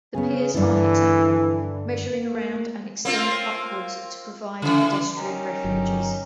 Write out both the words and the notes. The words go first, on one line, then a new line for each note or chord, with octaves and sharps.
The piers are hexagonal, measuring around and extend upwards to provide pedestrian refuges.
C#3 B3 C#4 G#4
G2 D3 E3
A#3
A#3 C4 F4
C#3 E3
C#4 D#4 G4 A#4
G1 F#3